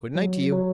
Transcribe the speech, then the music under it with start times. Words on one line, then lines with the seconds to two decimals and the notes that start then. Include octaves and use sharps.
"Good-night to you."
0.15 F#3
0.52 F#3